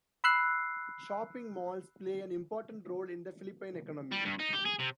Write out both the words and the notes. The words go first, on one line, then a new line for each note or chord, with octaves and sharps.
Shopping malls play an important role in the Philippine economy.
B5 E6 F#6 C7
G3
G2
D#4
G4
G#4
C3